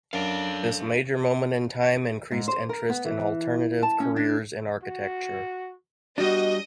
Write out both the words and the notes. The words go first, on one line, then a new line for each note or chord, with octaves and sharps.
This major moment in time increased interest in alternative careers in architecture.
F#2 D4 A4 F5
G#2
C5
A#4
B3
E3
A5
C#4
D4
F#4
G3 B3 D4 F#4 D#5